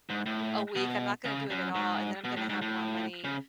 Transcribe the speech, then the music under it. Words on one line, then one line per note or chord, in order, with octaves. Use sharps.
a week, I'm not gonna do it at all, and then I'm gonna have more money,
G#2
A2
B2
C#3
F#2
G#2
B2
A2
G#2
A2
C#3